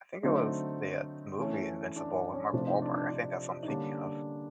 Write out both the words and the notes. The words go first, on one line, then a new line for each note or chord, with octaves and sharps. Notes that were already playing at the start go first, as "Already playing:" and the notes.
I think it was the, uh, movie Invincible with Mark Wahlberg. I think that's what I'm thinking of.
D3 F#3 A3 C4 D#4
E3 A3 C#4
D4
D4
C#4
C3 F3 A3 C4 D4
D#4
D4
D4
D4
D#4
D3 G3 A#3 C#4 D4